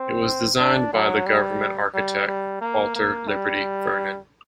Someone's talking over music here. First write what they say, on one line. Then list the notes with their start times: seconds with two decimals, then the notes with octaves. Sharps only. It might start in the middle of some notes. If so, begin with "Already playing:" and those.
It was designed by the government architect, Walter Liberty Vernon.
Already playing: C4
0.59 D4
0.93 F#3
1.27 G3
1.94 G3
2.27 G3
2.61 A#3
2.96 A#3
3.28 G3